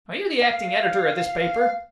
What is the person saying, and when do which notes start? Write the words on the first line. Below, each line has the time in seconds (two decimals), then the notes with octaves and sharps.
"Are you the acting editor of this paper?"
0.42 F5